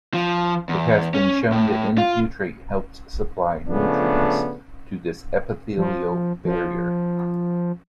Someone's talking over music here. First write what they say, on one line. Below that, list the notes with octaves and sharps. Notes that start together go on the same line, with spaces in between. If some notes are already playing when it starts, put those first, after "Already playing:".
It has been shown that N-butyrate helps supply nutrients to this epithelial barrier.
F3
E2
C#4
A2
F4
C#3 F3 A3 B3 D4
F3
F3